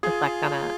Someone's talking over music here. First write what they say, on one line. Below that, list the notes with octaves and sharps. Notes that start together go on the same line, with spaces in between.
reflect on a
F4 G#4